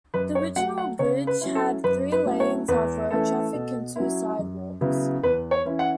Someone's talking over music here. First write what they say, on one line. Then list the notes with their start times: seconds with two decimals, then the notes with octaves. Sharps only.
The original bridge had three lanes of road traffic and two sidewalks.
0.14 F#2 B4
0.35 C#5
0.56 F#3 F#5
0.59 A3
0.78 F#5
0.99 C#3 C#5
1.27 B4
1.41 F#3 C#4 E4
1.55 A4
1.84 F#2 B4
2.12 B4
2.26 F#3 A3 C#4 E4
2.40 C#5
2.68 E2 B4
3.11 E3 A3 C#4 E4 A4
3.54 B2
3.96 F#3 C#4 E4
4.38 F#2
4.81 C#3 F#3 B3 E4
5.23 E2 B4
5.51 C#5
5.65 E3 C#4 E4
5.79 F#5